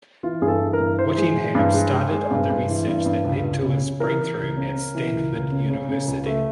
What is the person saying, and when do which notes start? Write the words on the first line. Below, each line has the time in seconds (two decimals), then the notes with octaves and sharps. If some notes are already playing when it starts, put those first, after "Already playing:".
Whittingham started on the research that led to his breakthrough at Stanford University.
0.23 E3 F4
0.42 G2 G#4
0.48 A4
0.61 E3
0.73 A#4
0.80 G2
0.99 E3 C5
1.18 G#3
1.36 E3
1.55 G2
1.74 G#3
1.93 G#3
2.11 G#3
2.30 G2
2.50 G2
2.68 E3
2.87 G2
3.06 G2
3.25 C#2
3.44 C#2
3.62 C#3
3.81 C#3
4.00 E3 A#4
4.19 E3
4.38 C#2
4.57 C#3
4.76 C#3
4.95 E3
5.13 C#2
5.33 C#2
5.51 C#3
5.70 C#3
5.88 C#3
6.08 C#2
6.26 A3